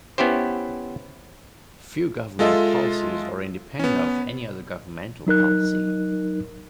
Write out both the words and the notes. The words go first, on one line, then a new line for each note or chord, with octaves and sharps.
Few government policies are independent of any other governmental policy.
B3 C#4 E4 G4 C5
G#3 F4 A4 D#5 E5
B3 C#4
F#3 D#4 A#4 F#6